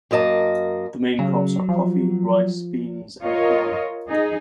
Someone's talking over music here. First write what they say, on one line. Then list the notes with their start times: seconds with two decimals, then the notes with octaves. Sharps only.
The main crops are coffee, rice, beans, and corn.
0.11 F#2 A#3 D#5 A5
1.19 C#3 F#3
1.69 F3
3.24 F4 A#4 C#5 D#5
4.08 D#4 G#4